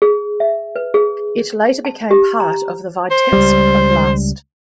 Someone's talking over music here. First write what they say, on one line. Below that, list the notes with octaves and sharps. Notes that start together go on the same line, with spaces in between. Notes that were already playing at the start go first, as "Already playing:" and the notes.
It later became part of the Vitebsk oblast.
G#4
E5
B4
G#4
A5
G4
A#5
C5
C#2 G3